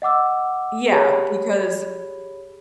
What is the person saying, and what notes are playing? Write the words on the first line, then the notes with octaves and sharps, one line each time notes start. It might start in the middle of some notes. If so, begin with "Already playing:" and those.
Yeah, because
D#5 F#5 D6 E6
G4 G#4 C#5 B5